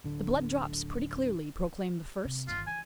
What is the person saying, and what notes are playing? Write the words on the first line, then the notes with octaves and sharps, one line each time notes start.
The blood drops pretty clearly, proclaimed the first.
D1 D3
C3
G1 D#3 F4
E3 G#5